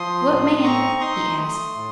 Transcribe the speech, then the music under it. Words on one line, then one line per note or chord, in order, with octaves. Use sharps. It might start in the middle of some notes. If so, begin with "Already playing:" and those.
"What man?" he asked.
Already playing: F3 C6 D#6
A2
C4 A#5 C#6
D#4 C6 D#6
A3
A2